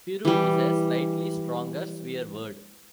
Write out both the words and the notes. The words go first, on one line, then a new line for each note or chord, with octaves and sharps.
"Piru" is a slightly stronger swear word.
E3 G3